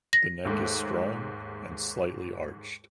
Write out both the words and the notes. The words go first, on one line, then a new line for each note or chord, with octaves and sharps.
The neck is strong and slightly arched.
A#6
D#2 G#2 A3